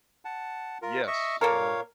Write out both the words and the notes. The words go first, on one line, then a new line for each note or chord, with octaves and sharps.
Yes, uh-huh.
F#5 A5
F4 A#4
D#5 E5 C#6
A#2 A#3 A4 A#4 C#5 F5